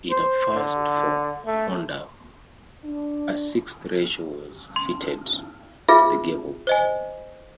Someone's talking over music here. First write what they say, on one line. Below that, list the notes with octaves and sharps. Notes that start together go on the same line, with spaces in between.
In a first for Honda, a sixth ratio was fitted to the gearbox.
C5
D3
A3
D4
C6
F4 G#4 B4 E5
C5 D#5 G#5